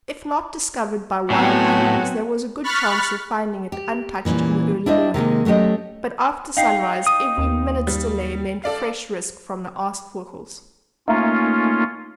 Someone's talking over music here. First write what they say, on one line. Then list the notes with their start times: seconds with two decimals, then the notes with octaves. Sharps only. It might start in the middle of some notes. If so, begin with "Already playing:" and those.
If not discovered by wild animals there was a good chance of finding it untouched in the early morning; but after sunrise every minute's delay meant fresh risk from the aasvogels.
1.30 A2 F#3 B3 C4 F#4 G#5
2.63 B5 C#6 F6 F#6 A6 B6
3.72 G4
4.25 A#2 E3 G3 C#4
4.86 D4 E4 C5 D#5
5.14 C3 D#3 G#3 A#3
5.45 F#3 A3 C#4 G4 D#5
6.57 D#4 F5 G5 C7
7.07 D#6
7.38 D#2
7.87 G3
8.64 A4 D5 F5
11.08 A3 A#3 C#4 D#4 F4